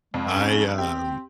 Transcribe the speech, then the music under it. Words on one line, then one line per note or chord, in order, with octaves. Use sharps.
I, um
F2 G#3
C#4
C4 G4